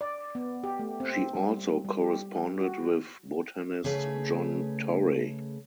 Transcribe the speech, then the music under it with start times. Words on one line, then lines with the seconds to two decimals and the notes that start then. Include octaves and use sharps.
She also corresponded with botanist John Torrey.
0.01 D5
0.35 B3
0.64 G4
0.79 A3
1.00 C4
1.35 G3
1.85 G3
2.01 G4
2.61 F#4
3.84 C#3 A3 G#4 B4